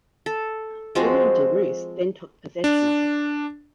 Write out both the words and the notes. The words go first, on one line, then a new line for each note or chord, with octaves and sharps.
William De Ros then took possession of it.
A4
F3 G#3 C4 F#4
D4